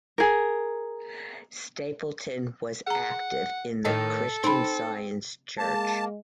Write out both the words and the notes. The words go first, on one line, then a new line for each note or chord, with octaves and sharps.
Stapleton was active in the Christian Science church.
G#4 A#4
G#4 F#5 A#5
A2 D#3 A4 D#5
C4 D#4 B5
G#3 A#3 A5